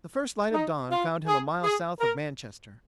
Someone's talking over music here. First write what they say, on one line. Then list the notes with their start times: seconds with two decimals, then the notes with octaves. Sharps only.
The first light of dawn found him a mile south of Manchester.
0.52 D#4
0.90 F4
1.26 G#4
1.64 G#4
2.00 A#4